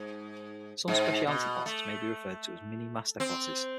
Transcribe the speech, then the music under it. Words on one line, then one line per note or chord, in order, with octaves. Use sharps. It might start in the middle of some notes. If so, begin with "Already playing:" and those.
Some speciality classes may be referred to as 'mini master classes'.
Already playing: G#2
G#2
B2
A3
C4